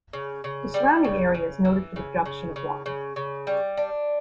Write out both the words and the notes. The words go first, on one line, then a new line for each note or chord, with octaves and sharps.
The surrounding area is noted for the production of wine.
C#3
C#3
G3
C#3
C#3
E3
C#3
C#3
C#3
C#3
C#3
G3
D4